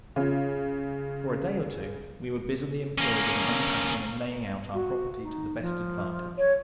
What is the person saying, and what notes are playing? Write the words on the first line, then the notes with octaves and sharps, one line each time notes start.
For a day or two we were busily employed in unpacking and laying out our property to the best advantage.
C#3 C#4 F4
A#3 C#4
F#4
D#4
F3
C#5